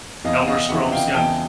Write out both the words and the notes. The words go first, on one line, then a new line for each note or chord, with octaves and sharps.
Elder Scrolls, yeah.
E2 D#5 F5
F#5
D#5 F5
C#3 E3 E5 F#5
F5 G5
E2 G5 A5